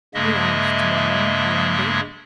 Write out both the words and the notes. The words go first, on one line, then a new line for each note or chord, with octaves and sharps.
"We're off to-morrow, Allenby."
G2 C#3 G#3 A#3 D#5 E5